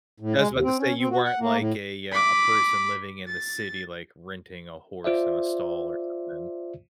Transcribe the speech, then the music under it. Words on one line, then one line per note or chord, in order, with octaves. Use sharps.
I was about to say, you weren't like a, uh, a person living in the city, like, renting a horse in a stall, or something.
A2
G#3
D#2
C4
C#4
C4
F#4
F#5
A#3
A2
B5 D6
A6
F4 C5 D5 E5